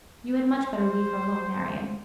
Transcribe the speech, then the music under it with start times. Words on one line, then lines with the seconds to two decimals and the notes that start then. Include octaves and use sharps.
You had much better leave her alone, Marian.
0.64 C5